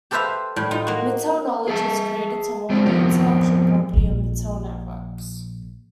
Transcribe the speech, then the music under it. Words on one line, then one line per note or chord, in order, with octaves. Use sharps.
Mitel Knowledge was created to hold the intellectual property of Mitel Networks.
G4 A4 B4 C5 E5 F5
A2 G3
D#4 F4
A#3 F#4
G#4 E5 A5
G#3 C4 D4 C5
F3 B3 C4 G4 A#4
A#1 A#2